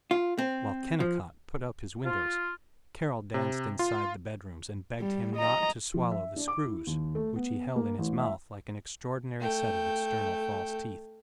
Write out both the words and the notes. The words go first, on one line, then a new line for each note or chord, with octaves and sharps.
While Kennicott put up his windows Carol danced inside the bedrooms and begged him not to swallow the screws, which he held in his mouth like an extraordinary set of external false teeth.
F4
C4
F3
F4
C3
F4
G3
D#5 A#5
F3
E5
D4
D6
E4
D#2
A3
B3
A#3
A1
E5
A3 G5